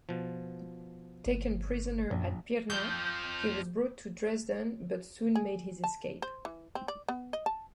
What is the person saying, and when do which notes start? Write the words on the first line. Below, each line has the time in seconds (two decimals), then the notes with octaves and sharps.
Taken prisoner at Pirna, he was brought to Dresden, but soon made his escape.
0.09 B2 F3
1.26 G1
2.11 A#1 F#2
2.70 F2 F3 G6
5.35 G#4
5.84 A5
6.22 C5
6.45 E3
6.75 C4
6.88 D5
7.09 B3
7.33 D#5
7.46 A5